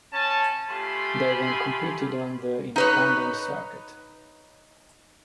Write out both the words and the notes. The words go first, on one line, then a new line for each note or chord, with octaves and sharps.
They then competed on the Independent Circuit.
C#4 A5
A3 F4 G4 G#5 B5 C6
D#4 B4 C#5